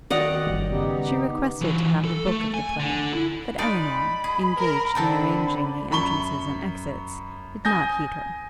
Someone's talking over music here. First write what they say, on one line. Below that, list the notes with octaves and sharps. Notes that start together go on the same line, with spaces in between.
She requested to have the book of the play; but Elinor, engaged in arranging the entrances and exits, did not heed her.
D#3 F#3 D5 D#5 F#5 F7
G1 G3
C#3 B3 D#4 G4
E3 F#3
A4
A3
G#5
D3
E4
G#3 D#4 D5 B5
G#4
A#4
D3 C4 D4 A4 B5
F#2 B5 C#6 G7
G#5 D#6 G6 A#6